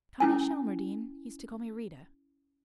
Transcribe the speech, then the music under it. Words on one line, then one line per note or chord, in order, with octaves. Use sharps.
Connie Shelmardine used to call me Rita.
C#4 E4 G#5